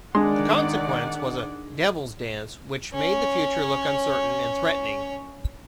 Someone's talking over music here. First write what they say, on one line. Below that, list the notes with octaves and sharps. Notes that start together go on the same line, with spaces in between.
The consequence was a "devil's dance" which made the future look uncertain and threatening.
D#3 G#3 D4 D5 F#5 C6
C#4 C#5